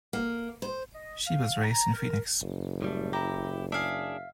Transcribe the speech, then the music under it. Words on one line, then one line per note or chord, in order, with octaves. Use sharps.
She was raised in Phoenix.
A#3
C5
D#5
F5
A#5
A#4
F#1
A2 G3 A3
E4 G4 A#5
D4 G#4 E5 F5